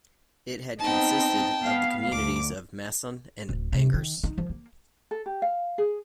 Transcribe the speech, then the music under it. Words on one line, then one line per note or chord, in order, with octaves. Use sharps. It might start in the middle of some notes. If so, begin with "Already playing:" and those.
It had consisted of the communities of Masson and Angers.
B3 C4 D#4 G5 A5
B3 F5
D2 D6
D1
C3
D#3
D#4
F3
A#3
A4
G4
F5
G#4